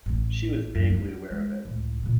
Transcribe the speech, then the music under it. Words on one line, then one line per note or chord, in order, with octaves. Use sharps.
She was vaguely aware of it.
A1 C#4
F#2 D4
F#3
G#3
C#2 A2
A#2 C#3